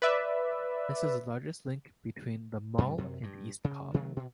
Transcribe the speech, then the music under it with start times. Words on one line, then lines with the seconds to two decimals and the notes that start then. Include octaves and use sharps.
This is the largest link between the mall and east Cobb.
0.02 B4 D5 E5
2.78 G2 C3 G3 A3
2.98 F#2 C3
3.23 G2
3.64 C#3
3.94 C3 D#3 F#3 A3
4.16 B2